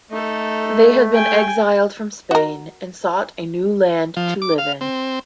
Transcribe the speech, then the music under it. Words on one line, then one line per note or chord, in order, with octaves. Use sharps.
They had been exiled from Spain and sought a new land to live in.
A3 D#4 A4
G5 G#5
F#4 A#4
F3
D6
F5
C4